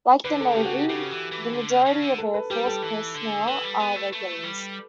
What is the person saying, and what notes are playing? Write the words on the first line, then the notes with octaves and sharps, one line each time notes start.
Like the Navy, the majority of Air Force personnel are regulars.
D3 B4
A4
C#3 G4
F#4
G4
C#3 G4
E3
E3
D3
C#3
C#3
D3
A4
B4
G3 G4
A4
E3
D3
E3 B4
G3
B3
A3
A3
G3